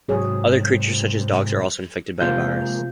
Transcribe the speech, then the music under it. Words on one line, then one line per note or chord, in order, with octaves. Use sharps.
Other creatures, such as dogs, are also infected by the virus.
G#2 C3 F#3 G#4 C#5
C3 F3 G#3 A#3 F4 G6